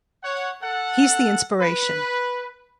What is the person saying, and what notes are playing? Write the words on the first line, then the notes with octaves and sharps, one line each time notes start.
He's the inspiration.
C#5 F#5
A4 F#5
B4